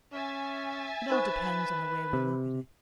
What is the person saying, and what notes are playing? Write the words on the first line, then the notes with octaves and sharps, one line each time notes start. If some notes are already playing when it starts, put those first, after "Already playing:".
It all depends on the way we look at it.
C#4 E5 G#5 A6
D#4 B4 C5 C#6
C3